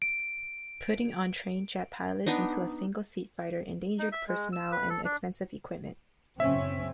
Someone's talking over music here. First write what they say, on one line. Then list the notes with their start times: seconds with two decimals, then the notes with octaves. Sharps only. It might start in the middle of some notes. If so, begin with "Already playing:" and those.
Putting untrained jet pilots into a single-seat fighter endangered personnel and expensive equipment.
0.02 D7
2.26 B3 D4 D#4
3.99 D#4
4.12 E5
4.28 G#3
4.53 E6
4.72 B4
4.90 A4
5.05 D4
6.40 F#1 C4 C#4 E5